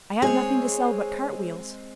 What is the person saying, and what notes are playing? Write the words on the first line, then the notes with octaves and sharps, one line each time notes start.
I have nothing to sell but cart-wheels.
G#3 C4 G#4 C#5